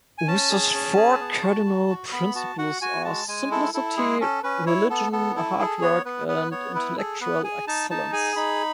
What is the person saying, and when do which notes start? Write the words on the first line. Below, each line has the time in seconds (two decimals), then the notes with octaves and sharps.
Wooster's four cardinal principles are simplicity, religion, hard work, and intellectual excellence.
0.18 G#5
0.27 C#4 A5
0.50 G#4
0.74 C#4
0.97 G#4
1.20 B3
1.43 F#4
1.66 F#4
1.89 F#4
2.12 B3 B5
2.35 F#4 A5
2.58 F#4 F#5
2.82 F#4 G#5
3.05 G#3 A5
3.28 G#3 G#5
3.51 E4 A4
3.74 E4 A4
3.97 G#3 G#4
4.20 C#4 A4
4.43 C#4 B4
4.66 E4 C#5
4.90 B3 A4
5.12 B3 A4
5.36 E4 A4
5.59 G#4 A4
5.82 B3 C#5
6.05 B3 B4
6.28 B3 B4
6.51 B3 C#5
6.75 E4 B4
6.98 G#4 A4
7.21 B3 B4
7.44 G#4 G#5
7.67 D#4 A5
7.91 D#4 A5
8.13 G#4 G#5
8.36 D#4 B5